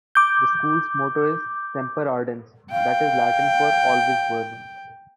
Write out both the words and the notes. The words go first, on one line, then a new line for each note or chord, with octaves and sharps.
The school's motto is "Semper Ardens", this is Latin for always burning.
D6 G6
F5 G5